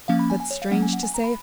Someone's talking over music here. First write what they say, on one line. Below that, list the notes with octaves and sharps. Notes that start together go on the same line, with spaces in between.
But, strange to say!
F3 A#3 C#4 F5
B5
G#5
G#5
C#5
F5
F#3 A#3 C#4 F#5
G#5
F#5
G#5
A#5
B5